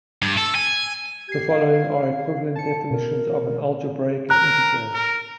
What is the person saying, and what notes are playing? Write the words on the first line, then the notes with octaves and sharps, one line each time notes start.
The following are equivalent definitions of an algebraic integer.
G2
A4
G#5
G4 G#6 C7
F5
A5 C#7
B2 A#4
A#4 A#5 F#6
A#4